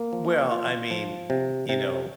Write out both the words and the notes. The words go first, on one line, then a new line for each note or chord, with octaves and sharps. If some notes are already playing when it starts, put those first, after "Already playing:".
Well, I mean, you know.
Already playing: A#3
F3
F4
F3
C3
C3